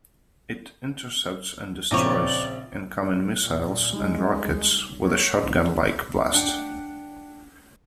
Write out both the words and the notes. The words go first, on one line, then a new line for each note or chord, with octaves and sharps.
It intercepts and destroys incoming missiles and rockets with a shotgun-like blast.
A#1 C#3 C4 C#5 D5 G5 A#5
A#2
G3 G#3 D#4
C#5
D4 F#5 G5